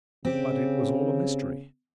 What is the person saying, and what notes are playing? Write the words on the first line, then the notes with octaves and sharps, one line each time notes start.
But it was all a mystery.
C#3 C4 G4